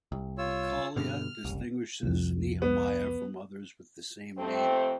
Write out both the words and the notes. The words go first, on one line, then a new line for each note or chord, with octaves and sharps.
Hachaliah distinguishes Nehemiah from others with the same name.
C2
F4 C#5 E6
G2 B2 D3 F6
F#1 C2
C2 F2
B3
F2 C3 A3 C4